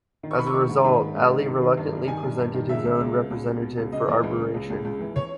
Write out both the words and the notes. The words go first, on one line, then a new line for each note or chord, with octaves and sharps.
As a result, Ali reluctantly presented his own representative for arbitration.
D#3
C#6
D#3 B5
C#6
D#3
G#2
D#3 B5
G#2
G#2
D#3
D#3
D#3
G2
G2
D#3 G#5
G2
G2
D#3
C#2 E5
C#2
C#2
B2
C#2
B2
B2
C#2
C#3 D#5
E3
C#2
C#3
C#2
C#2
C#2
E3
C#5